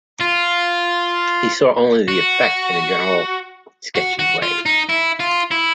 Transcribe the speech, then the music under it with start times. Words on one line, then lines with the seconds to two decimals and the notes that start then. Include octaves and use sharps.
He saw only the effect in a general, sketchy way.
0.21 F4
2.08 F#4
3.95 F#4
4.19 F#4
4.43 F4
4.66 D#4
4.89 E4
5.20 F4
5.52 E4